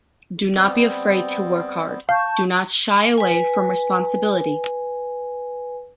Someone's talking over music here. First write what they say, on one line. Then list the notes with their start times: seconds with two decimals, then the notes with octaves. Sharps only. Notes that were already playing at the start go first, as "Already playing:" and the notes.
Do not be afraid to work hard, do not shy away from responsibility.
0.55 G3 B3 C4
2.09 F5 A5 C#6 G6
3.18 B4 G#5